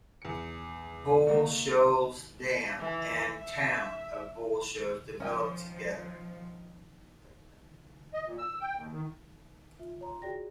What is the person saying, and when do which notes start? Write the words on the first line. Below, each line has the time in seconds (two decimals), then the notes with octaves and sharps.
Bull Shoals Dam and the town of Bull Shoals developed together.
0.22 E2 C#7
1.27 C#3 A#3 D#4
2.79 E3
3.37 E5
5.20 F3 C#4 A#4 D#5 G5
8.14 D#5
8.26 A#2
8.38 E6
8.61 G5
8.75 D#2
8.92 D#3
9.79 F4 E5
10.01 C#5 A#5 C6
10.22 F#4 G#4 D5 G5 A#6